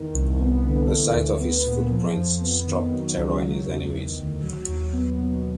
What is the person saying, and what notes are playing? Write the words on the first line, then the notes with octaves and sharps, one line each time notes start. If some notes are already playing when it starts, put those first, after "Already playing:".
The sight of his footprints struck terror in his enemies.
Already playing: E2 D#3
C2
B3
D3
E3
D2
B3
A#2
F3
F2
B3
D#3
F#3
C#2
F#3
E2
D#3
D2
F#3
D#2
B3
B2